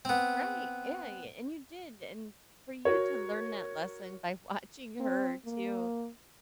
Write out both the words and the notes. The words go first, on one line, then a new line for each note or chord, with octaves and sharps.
R right. Yeah, y and you did, and for you to learn that lesson by watching her too,
B3 C4
F#4 A#4 C#5
C4
A#3